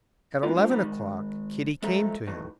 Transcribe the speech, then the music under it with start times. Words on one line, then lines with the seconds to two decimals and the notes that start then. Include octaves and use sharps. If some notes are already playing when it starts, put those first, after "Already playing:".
At eleven o'clock Kitty came to him.
0.43 G#3 A#3 B3 D4 E4 F4
0.55 G#3 D4 F4 G4 C5
0.69 D3 F3 G3 A#3 D#4
0.83 D#3 G#3
1.82 F3 G#3 A4 E5 A#5
2.27 A2 D#3 E3 F#3